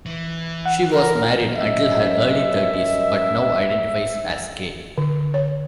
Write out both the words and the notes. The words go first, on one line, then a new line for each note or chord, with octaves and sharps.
She was married until her early thirties, but now identifies as gay.
E3
F#5
A#4
F#2 D#5 E5
D3
C#5